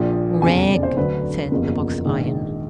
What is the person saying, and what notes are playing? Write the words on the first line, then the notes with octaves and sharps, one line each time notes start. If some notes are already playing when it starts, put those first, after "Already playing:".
"Rag!" said the box-iron.
Already playing: A#1 A#2 F3
F1 E2 C#3 G#5
D5
C5
D2 D3 F#3 B4
F#1 E2 C3 F3 A#3
A#1 G#2 D#3